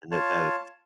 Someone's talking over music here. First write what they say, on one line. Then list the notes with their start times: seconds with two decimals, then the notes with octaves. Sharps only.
And, eh, that
0.11 F4 C#5 A5